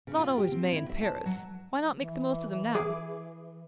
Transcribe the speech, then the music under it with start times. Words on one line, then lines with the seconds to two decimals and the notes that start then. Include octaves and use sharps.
It's not always May and Paris--why not make the most of them now?
0.07 C#3
0.18 F4
0.38 G4
0.52 C4
0.72 E4
0.89 E5
1.03 A5
1.26 F#3
2.00 E3
2.75 G#4 D6